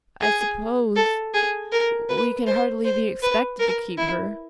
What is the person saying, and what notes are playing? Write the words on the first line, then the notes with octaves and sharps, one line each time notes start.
"I suppose--we could hardly be expected to keep her."
G#4
A4
G#4
A#4
B4
C5
C5
B4
A#4
E4